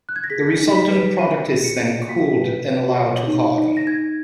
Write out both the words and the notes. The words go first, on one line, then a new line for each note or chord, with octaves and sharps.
The resultant product is then cooled and allowed to harden.
F#6
G#6
A#6
G#4 B6
D#4
B6
B4
F4 D#7
G#4
C#7
F4
F#4 B6
B4
B4
C#5
D#4
D#4
A#6
D#4 G#6